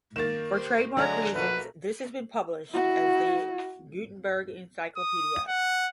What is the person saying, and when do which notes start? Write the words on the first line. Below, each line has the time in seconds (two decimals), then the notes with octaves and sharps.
For trademark reasons this has been published as the "Gutenberg Encyclopedia".
0.16 D#3 A#3 A6 E7
0.51 G4 C5
0.97 D3 F#3 G#3 A3 D4 A#5
1.35 B1 A3 A#3 F#4 B4
2.72 E4 F#4
4.97 D#6
5.48 F#5